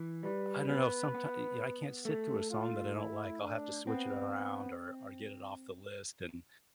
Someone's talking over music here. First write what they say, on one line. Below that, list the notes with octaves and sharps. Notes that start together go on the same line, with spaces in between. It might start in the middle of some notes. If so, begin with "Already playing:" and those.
I don't know, someti y you know, I can't sit through a song that I don't like, I'll have to switch it around or, or get it off the list and
Already playing: E3
G3 B4
B3 B4
B3
A3 A4
F4
E4
D4
B3 C4
B3